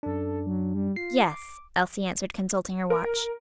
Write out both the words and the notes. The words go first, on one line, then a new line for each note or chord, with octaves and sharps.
"Yes," Elsie answered, consulting her watch.
F#2 D4 A4
F#3
G3
F4 C7
D6
A#4